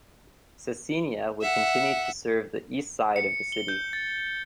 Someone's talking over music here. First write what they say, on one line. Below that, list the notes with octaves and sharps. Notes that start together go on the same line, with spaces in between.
Scecina would continue to serve the east side of the city.
E5 F#5
C#7
G7
G6
A6